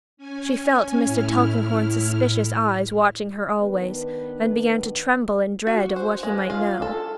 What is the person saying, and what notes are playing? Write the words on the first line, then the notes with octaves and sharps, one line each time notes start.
She felt Mr. Tulkinghorn's suspicious eyes watching her always and began to tremble in dread of what he might know.
C#4 G#5
A2 E4 F6
D#3 B3 D4 B4
F#4
C5
G#3
F4
A4